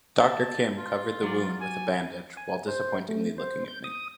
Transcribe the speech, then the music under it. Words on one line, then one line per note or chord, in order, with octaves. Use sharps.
Doctor Kim covered the wound with a bandage while disappointingly looking at me.
A5
F4
F#3 D5
G#5
G#5
C5
A3
C5
G6
D#6